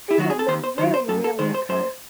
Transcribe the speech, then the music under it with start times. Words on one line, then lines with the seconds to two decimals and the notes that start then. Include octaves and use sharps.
Seizures may very rarely occur.
0.11 E4
0.18 D#3 F#3 F#4
0.30 G#4
0.39 A4
0.48 D#2 C5
0.64 C5
0.78 D#3 F#3 C5
0.94 C5
1.09 F#2 A4
1.24 A4
1.39 D#3 G#3 C5
1.54 C5
1.69 F#2 C5